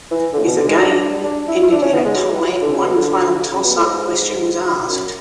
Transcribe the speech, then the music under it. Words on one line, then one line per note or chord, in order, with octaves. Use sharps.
If the game ended in a tie, one final toss-up question was asked.
E3
D3
A2
B2
D3
G#3
D4
D4
E4
E4
D4
C#4
B3
G#3
F#3
E3
F#3
D3
C#3
B2
D3
C#3
B2
A2
G#2
F#2